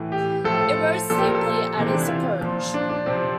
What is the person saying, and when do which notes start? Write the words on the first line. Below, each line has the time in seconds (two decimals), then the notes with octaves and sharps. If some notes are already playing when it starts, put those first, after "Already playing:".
It rose steeply at his approach.
Already playing: A2 E3
0.12 G4
0.44 A2 F3 A4
1.10 A#2 F3 A4
1.18 G4
1.27 A#4
1.35 A4
1.76 C3 E3 A#3
1.87 C4
1.94 D4
2.01 E4
2.08 F4
2.41 A#2 F3
2.74 D4
2.89 D4
3.06 C3 F3 C4